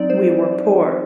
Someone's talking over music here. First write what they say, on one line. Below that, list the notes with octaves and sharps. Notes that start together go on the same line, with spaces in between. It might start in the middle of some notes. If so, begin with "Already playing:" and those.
We were poor.
Already playing: F#3 C4 D#4 D5
C5